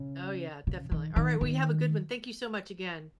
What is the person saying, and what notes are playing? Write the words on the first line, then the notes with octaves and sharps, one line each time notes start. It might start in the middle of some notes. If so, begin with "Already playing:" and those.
Oh, yeah, definitely, alright, well, you have a good one, thank you so much, again.
Already playing: C#3
C#3
D#3
D#3
D#3